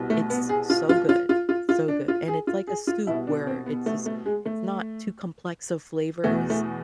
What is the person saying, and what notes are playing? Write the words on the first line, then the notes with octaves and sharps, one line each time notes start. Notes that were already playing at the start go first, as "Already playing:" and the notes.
it's so good. So good, and it's like a soup where it's just it's not too complex of flavors,
Already playing: C2 B2
A3
B3
G#4
F4
F4
F4
F4
F4
F4
D4
F4
G#4
F4
G#4
F4
C2 B2 E4
D4
C4
B3
A3
A3
G#3
A3
E2 B2 A3
A3